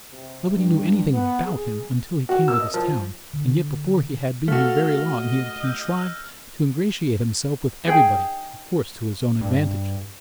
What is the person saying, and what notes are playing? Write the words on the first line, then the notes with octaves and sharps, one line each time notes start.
Nobody knew anything about him until he came to this town, and yet before he had been here very long he had contrived to ingratiate himself with everybody--of course, to his own advantage.
C3
G2
B3
G#4
F#4
E6
D#5
F3
D3
A3 F#4 A4 F5 F6 A#6
D#5
E6 F6 G6
D#4 G#4 G5
G2